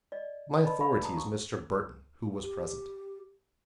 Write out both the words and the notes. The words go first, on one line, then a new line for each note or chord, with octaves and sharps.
"My authority is Mr. Burton, who was present."
D5 D#5
B4 D5 D#5 A5 B5
A#4 D5 F5 B5 C#6
G#4 A5 A#5 D#6
C#6
G4